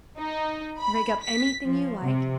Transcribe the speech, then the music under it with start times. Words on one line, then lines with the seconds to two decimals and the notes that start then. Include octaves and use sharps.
Rig up anything you like....
0.19 D#4
0.77 B5
1.22 B6
1.65 F3
2.03 C3